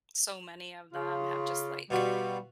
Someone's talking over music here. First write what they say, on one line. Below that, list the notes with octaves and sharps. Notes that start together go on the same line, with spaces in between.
so many of them have just, like
C#3 F4
B2 G3 F4 F#4